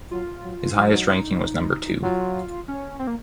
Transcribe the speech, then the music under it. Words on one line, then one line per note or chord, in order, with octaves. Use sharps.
His highest ranking was number two.
F#3 F4
F#3
F#3 D#4
D#4
D#4
F#3 F4
C#4
C4
A#3